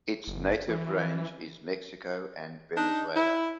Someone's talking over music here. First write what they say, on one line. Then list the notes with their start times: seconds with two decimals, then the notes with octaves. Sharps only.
Its native range is Mexico and Venezuela.
0.27 F#1
0.69 E3
2.77 D4 D#4
3.17 E4